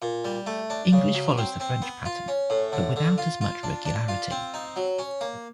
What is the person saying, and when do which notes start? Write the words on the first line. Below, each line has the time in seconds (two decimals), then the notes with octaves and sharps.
English follows the French pattern, but without as much regularity.
0.02 A#2
0.25 G3
0.46 A3
0.70 D4
0.92 C#3
1.15 F#3
1.38 C4
1.60 C4
1.82 B3
2.05 F4
2.28 C#4
2.50 A2
2.72 D3
2.96 D3
3.18 F4
3.41 F4
3.63 D4
3.85 D4
4.08 F4
4.31 C4
4.54 D#4
4.76 F#3
4.99 C#4
5.21 A#3